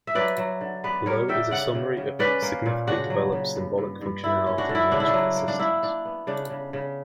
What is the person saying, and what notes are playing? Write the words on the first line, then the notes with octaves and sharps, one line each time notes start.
Below is a summary of significantly developed "symbolic" functionality in each of the systems.
E5
F#3 B4 D5
F#3
D3
B3 B4 D5
G3 A#4 C#5
D3 E5 G5
C#3 D5 F#5
C#3
C#3
C#4 B4 D5
A#3
A#2
C#3 D4 F#4
F#3
C#3
G2
G2
G2
D3 E4
C#4
D4 F#4
D3
E4
C#3 D4
E4
D4
F#3
A#3
D4
D4 E4
D4
B3
C#3 D4
C#3
C#3